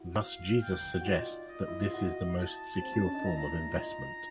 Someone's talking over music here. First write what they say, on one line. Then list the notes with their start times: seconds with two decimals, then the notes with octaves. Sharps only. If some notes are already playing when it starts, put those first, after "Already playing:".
Thus Jesus suggests that this is the most secure form of investment.
Already playing: E4 F#4
0.18 F5
0.62 G5
1.01 F#4
1.05 D#4 F4 D5
1.49 D#5
1.68 E4
1.81 F4
1.93 E4 F#4 D#5
2.38 A5
2.81 C4
2.93 C#4
3.03 D4
3.14 D#4
3.25 D4 E4 A#5
3.69 D#4 F4